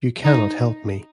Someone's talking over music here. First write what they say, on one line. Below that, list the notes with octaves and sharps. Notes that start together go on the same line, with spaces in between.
You cannot help me.
D#4